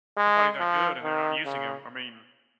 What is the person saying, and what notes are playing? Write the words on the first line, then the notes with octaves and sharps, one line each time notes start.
somebody that good, and they're not using him, I mean
G#3
F3
D#3
C#3